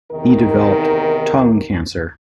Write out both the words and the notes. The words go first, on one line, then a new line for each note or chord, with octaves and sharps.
He developed tongue cancer.
E2 C3 D#3 D#4 A#4